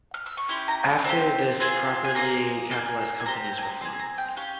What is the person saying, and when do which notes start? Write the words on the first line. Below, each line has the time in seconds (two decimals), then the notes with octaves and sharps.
After this properly capitalised companies were formed.
0.14 F6
0.26 E6
0.37 C#6
0.49 C#4 E4 G4 C6
0.68 A#5
1.04 C4 G4
1.60 C4 F4 G#4
2.04 G#5
2.15 A#3 F4 G#4 A#5
2.71 A#3 F4 G#4
3.20 G#5
3.26 C4 G4 A#5
3.45 A#5
3.58 G#5
3.63 A#5
3.81 C4 E4 G#4 C6
3.99 A#5
4.18 G5
4.36 C#4 G4 F5